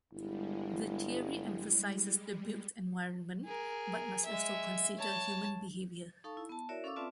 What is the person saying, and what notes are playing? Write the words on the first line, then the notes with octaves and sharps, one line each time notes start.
The theory emphasizes the built environment, but must also consider human behavior.
G1 G3 G#3 E4
G#4 A#4
G#3 E5
C#5 A5
D#4 A4 F5 A5 C#6
E4
B3 A5
E4 F#4 A#4 C#5 D5 E5
C#4 A4 F5 C#6 D6 E6
C4 F4 B4 D5 E5 A5